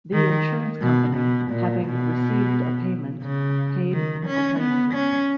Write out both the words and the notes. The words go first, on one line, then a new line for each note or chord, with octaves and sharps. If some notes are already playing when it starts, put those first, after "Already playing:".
The insurance company, having received a payment, paid the claims.
D#3
B2
B2
A#2
B2
C#3
D#3
C#4
B3
C#4